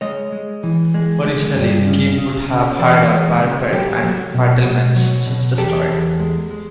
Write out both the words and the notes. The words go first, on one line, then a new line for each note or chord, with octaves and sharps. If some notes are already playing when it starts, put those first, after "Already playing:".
Originally the keep would have had a parapet and battlements, since destroyed.
G#3 C#5 D#5
G#3
E3
G#3
G#3
G2
C#3
C#3
C#3
E3 C5 D5
G#3
C#3
F#3 G4 A4
F#3
B2
B2
F#3
B2
E2 G4 A4
E2
G#3
G#3